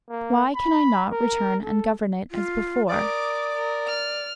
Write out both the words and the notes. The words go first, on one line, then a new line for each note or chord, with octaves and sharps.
"Why can I not return and govern it as before?"
A#3
B5
A#4
A4
F4
A#4 D5 D6 D#6
A#4
F6